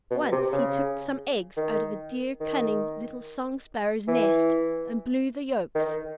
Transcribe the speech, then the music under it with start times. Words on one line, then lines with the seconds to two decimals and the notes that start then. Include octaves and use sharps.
Once he took some eggs out of a dear, cunning, little song-sparrow's nest, and blew the yolks.
0.11 B2
0.32 C3
0.53 C#3
1.57 D#3
2.40 D#3
4.07 E3
5.75 D#3